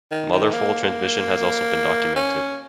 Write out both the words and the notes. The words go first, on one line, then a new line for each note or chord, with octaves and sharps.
Mother-foal transmission has also been documented.
D#3
D#3
A#3
C#4